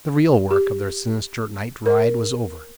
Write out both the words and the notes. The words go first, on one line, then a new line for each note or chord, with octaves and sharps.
The real work of their sinister night ride was over.
G4
A#4